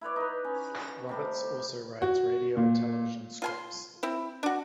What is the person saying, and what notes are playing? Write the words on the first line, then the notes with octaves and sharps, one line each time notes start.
Roberts also writes radio and television scripts.
E4 B4 C#5 D5
D#4 B4
C#4
C3 G3 A3
F#4
A#2
F4 G#5 C6
C4 E4
D4 F#4